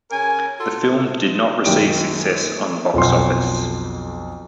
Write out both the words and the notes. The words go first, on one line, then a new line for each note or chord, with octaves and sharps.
The film did not receive success on box office.
C#3 C#4 A#4 G#5
F4 F#4 A4
A#1 F#2 D#3 D#4 G4 D7
B1 F2 F#5 C6